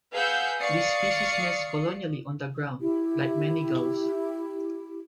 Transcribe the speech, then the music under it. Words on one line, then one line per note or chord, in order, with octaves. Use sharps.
This species nests colonially on the ground, like many gulls.
G#4 B4 F5 F#5 E6 G6
D5 F5 C#6 D#6 C7 C#7
E4 G4